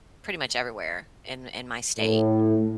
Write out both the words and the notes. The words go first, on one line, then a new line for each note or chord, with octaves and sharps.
pretty much everywhere in in my state.
A2